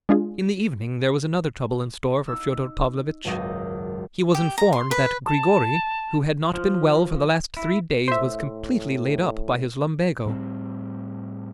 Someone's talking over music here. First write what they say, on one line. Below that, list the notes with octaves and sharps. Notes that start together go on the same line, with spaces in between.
In the evening there was another trouble in store for Fyodor Pavlovitch; he was informed that Grigory, who had not been well for the last three days, was completely laid up by his lumbago.
G#3 D4 F4 G#4
D#4 E6
G#1 C#2 F#2 F#4 D#6 A#6
G4
A#5
C6
B4
A5
F3
E4
A2 C5 E5
A2 G3 B3 C4